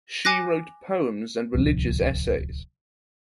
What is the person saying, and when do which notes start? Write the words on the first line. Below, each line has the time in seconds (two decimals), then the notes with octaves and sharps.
She wrote poems and religious essays.
0.25 G#5 D6 F#6 A#6
1.54 D1 C2 D3 F3